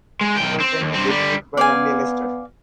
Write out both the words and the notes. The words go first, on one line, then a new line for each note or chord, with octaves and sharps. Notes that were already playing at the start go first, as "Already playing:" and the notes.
Good Weekend is edited by Amelia Lester.
G#3
B1 G5
C4
D#2
G2 C4
D3 G3
B3 D5 F5 G#5